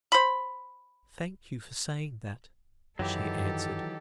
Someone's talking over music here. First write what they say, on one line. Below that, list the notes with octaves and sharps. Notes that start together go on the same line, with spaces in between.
"Thank you for saying that," she answered.
C5 B5
F#2 D#3 E3 F#3 G4 A4